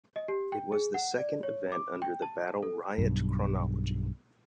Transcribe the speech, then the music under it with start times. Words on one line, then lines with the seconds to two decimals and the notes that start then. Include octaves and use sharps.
It was the second event under the Battle Riot chronology.
0.16 D#5
0.28 G4
0.52 G5
0.72 G#4
0.94 F#5
1.18 D5
1.43 C#5
1.72 D6
2.02 G5
2.22 A5
2.63 A4
2.98 B1 G2